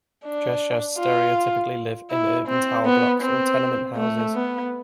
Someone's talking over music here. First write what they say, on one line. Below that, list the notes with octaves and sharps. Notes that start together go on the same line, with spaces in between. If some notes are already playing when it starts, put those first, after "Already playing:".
Dresiarze stereotypically live in urban tower blocks or tenement houses.
D4
F4
E4
C4
B3
C4
A3
B3